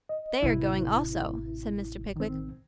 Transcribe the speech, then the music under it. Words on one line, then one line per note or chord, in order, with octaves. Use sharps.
'They are going also,' said Mr. Pickwick.
D#5
A1 C3 E4 B4
D#3 C4